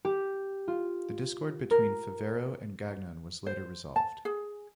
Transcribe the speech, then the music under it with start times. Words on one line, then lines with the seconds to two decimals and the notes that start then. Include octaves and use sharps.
The discord between Favero and Gagnon was later resolved.
0.05 G4
0.68 F4
1.71 A#4
3.47 C5
3.96 A5
4.25 G#4